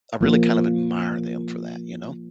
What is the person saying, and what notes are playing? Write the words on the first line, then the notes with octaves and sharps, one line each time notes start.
I really kind of admire them for that, you know?
F3 A#3